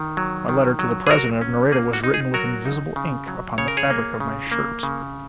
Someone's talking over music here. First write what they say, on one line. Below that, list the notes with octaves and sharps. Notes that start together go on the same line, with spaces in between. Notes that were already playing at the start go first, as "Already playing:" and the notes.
My letter to the President of Nareda was written with invisible ink upon the fabric of my shirt.
Already playing: D#3
F#3
D#3
F#3
G#4
F#3 F#4 A#4
C#4
A#3 G#4
F#4
D#4
G#4
F#3 F#4 A#4
D#4
C#3
F#3
C#3 C#5
A#4
G#4 C#5
A#3
C#3
A#3
C#3